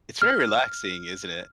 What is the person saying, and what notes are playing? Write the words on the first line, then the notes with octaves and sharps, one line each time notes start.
It's very relaxing, isn't it?
F6